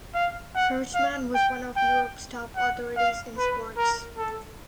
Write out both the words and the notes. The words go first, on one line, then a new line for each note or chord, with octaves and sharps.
Herschmann was one of Europe's top authorities in sports.
F5
F#5
F5
G5
G5
F#5
F5
B4
A#4
A4